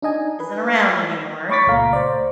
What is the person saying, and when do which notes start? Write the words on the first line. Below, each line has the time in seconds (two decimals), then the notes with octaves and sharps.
isn't around anymore,
0.02 D4 D#4 D#5 G#5
0.40 B4
1.49 C#5 B5 C#6 D6 A6 B6
1.66 C#2 A#2 A3 F5 A#5
1.93 C5 D5